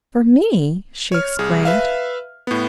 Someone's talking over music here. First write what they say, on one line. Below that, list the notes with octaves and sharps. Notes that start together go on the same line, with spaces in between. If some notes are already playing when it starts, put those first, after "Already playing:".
"For me!" she exclaimed.
C#5 F6
C2 G#4
B4 E5 F5
A2 B3